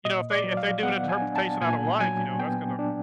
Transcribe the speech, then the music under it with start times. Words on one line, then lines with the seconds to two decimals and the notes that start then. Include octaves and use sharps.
you know, if they if they do an interpretation I don't like, you know, that's gonna
0.05 A#2 D#5
0.31 D5
0.44 F#3
0.57 F5
0.83 B3 F#5
1.09 G#5
1.22 D4
1.36 A5
1.62 A#2 G#5
2.00 F#3 G#5
2.39 B3 G5
2.79 D4